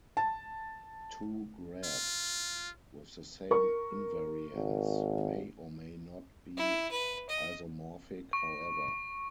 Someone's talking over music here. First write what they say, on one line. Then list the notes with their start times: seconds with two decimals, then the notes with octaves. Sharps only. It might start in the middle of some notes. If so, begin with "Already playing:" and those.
Two graphs with the same invariants may or may not be isomorphic, however.
0.17 A5
1.84 F4
3.51 A#4 C#6
4.54 G#1
6.57 E4
6.91 B4
7.29 D#5
8.33 C#6